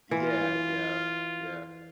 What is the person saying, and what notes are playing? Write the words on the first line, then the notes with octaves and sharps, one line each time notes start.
Yeah, yeah, yeah.
E3 F4